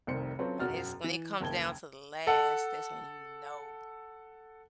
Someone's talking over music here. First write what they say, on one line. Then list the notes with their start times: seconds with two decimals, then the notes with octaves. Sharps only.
When it's when it comes down to the last that's when you know,
0.07 F1 C2 D#3 C5 C#7
0.39 F#3 C4 C#4 F4 A4 B4
0.60 E1 F#2 F#4 F6 A6
1.04 E3
1.41 F#1 D#2 A5 G#6 G7
2.27 A4 F#5